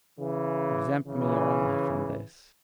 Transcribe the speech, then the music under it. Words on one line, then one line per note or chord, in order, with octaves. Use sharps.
Exempt me only from this!
C#3 E3
C#3 E3